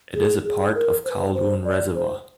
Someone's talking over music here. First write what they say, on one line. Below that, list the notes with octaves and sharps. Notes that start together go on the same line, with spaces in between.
It is a part of Kowloon Reservoir.
G#4
G#4
A#4
C5
B4
C5
D5
C5